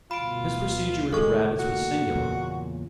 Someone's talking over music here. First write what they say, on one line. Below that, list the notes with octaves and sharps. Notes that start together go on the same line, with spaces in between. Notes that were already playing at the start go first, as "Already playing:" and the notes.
His procedure with the rabbits was singular.
D2 G2 B2 F4 B5 D7
F#1 A2 D#3 G#3 A4 C#6
G1 A#3 F#4
E2 A#2 C#3